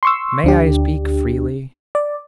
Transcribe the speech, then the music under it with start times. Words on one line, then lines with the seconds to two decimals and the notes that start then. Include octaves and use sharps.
May I speak freely?
0.03 C6 C#6 E6
0.44 D2 D4 G4
1.95 D5